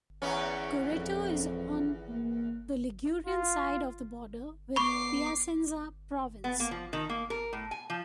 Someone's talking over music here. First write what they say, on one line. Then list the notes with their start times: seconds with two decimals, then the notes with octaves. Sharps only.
Gorreto is on the Ligurian side of the border with Piacenza province.
0.22 E2 B3 C#4
0.92 F2
2.09 A#3
3.27 F4
4.76 B3 B5 C#6 D6 C7
6.44 B3
6.60 A#3
6.71 F3
6.93 D#3
7.09 A#3
7.30 A#4
7.53 A2
7.71 G#5
7.90 F3